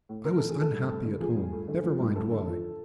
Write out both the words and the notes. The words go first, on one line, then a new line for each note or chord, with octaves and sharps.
I was unhappy at home--never mind why.
A2
A2 A#4
E3 A4
G#4
A3 A4
G2
A3
D3
F3 G#4
G2
A3
D3
F3
G2
A3 A4
D3
F3